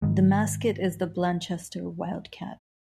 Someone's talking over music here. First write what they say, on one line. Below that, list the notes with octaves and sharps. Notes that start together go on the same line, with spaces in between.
The mascot is the Blanchester Wildcat.
G#2 D#3 G#3